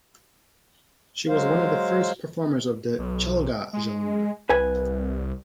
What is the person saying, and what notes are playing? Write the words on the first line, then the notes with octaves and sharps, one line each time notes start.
She was one of the first performers of the Chalga genre.
F#3 G#3 C5 F5
B1
G#3
C2 B4 G#5